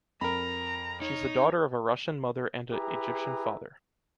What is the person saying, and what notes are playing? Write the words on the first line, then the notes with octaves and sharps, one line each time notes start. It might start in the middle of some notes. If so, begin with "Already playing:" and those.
She’s the daughter of a Russian mother and a Egyptian father.
F2 A#4 A#5 B5
D#4 C#5
E4 G4 G#4 B4 A#5